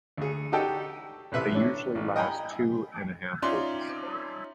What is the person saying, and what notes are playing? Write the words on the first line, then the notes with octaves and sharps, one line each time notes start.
They usually last two and a half weeks.
D2 G#4
D#4 F#4 G4 A4 D#5 G5
A1 C3 B4 E5
C#4 D4
A1
D#5 G5 G#5 A#5 B5
C#4 D#4 F4 D5 E5 C6